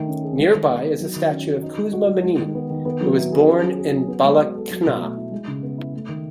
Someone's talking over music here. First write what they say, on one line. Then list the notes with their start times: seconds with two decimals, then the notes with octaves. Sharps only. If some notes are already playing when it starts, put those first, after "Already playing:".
Nearby is a statue of Kuzma Minin, who was born in Balakhna.
Already playing: D#3 A3
0.08 C#4
0.24 G#4
0.39 G#3
0.55 D#3
0.70 B3
0.85 D#4
1.00 F#3
1.16 D#3
1.31 C#4
1.46 F#4
1.62 D#4
1.78 G#3
1.93 F#4
2.08 G#3
2.24 G#3
2.39 D#3
2.55 B3
2.70 D#3
2.85 B3
3.01 F#3
3.16 E4
3.32 G#4
3.47 C#4
3.62 F#3
3.78 G#4
3.93 F#3
4.08 B3
4.24 G#3
4.39 F#4
4.55 A4
4.70 F#3
4.86 B2
5.01 A3
5.17 E4
5.32 G#3
5.47 C#3
5.63 B3
5.78 E4
5.94 A3
6.09 D#3